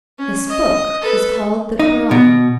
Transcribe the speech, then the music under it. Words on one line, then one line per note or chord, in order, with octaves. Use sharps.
This book was called the Koran.
C#4
D#5
A4 B4
D#4
B2